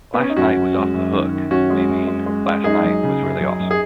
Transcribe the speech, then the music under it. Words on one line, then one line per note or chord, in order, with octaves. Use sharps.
"Last night was off-the-hook" may mean "last night was really awesome".
B3
C#4
D#4
F#2 C#4 F#4
F#2
G#3
F#2
D#3
D#3
F#2 C#4 F#4
G#3
F#2
G#3
G#3
G#3
F#2 D#4 G#4
F#3
C#3
F#2
F#3
F#2
G#4